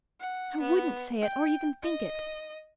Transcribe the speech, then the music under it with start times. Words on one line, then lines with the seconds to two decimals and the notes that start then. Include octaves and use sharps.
I wouldn't say it, or even think it.
0.20 F#5
0.61 B3
1.21 G5
1.82 D#5